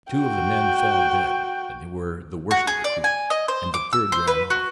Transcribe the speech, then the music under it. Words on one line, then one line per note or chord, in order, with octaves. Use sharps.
Two of the men fell dead, and they were the worst of the crew, and the third ran off.
F#4 G5
F#4
G#4
D5
G#5
D#5
C5
D6
E6
C5
B4
F#4